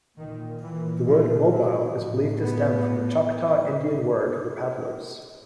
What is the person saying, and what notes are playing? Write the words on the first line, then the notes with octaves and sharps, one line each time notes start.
The word "Mobile" is believed to stem from a Choctaw Indian word for "paddlers".
A#2 D#3
E3
F3
F#3
A2
B3